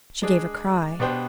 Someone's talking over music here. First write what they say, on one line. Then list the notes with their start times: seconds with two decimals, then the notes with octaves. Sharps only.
She gave a cry.
0.22 G#3 D4 G#4
0.99 B2 B3 D4 G4 C5